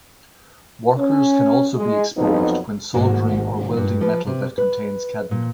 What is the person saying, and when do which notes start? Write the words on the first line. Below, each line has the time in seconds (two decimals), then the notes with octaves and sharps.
Workers can also be exposed when soldering or welding metal that contains cadmium.
0.99 C#4
1.76 G#3
2.18 F2 F3 F#3 B3 C4 D#4
2.94 G#2 D#3 A#3 F#4
3.77 G2
4.01 F3 B4
4.27 C3
4.58 B4
5.31 A#2